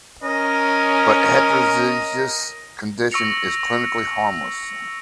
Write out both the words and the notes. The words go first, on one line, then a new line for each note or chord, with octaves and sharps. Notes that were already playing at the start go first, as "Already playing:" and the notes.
But heterozygous condition is clinically harmless.
C#4 A#4 D#5
C#6 E6 A#6 C#7 F7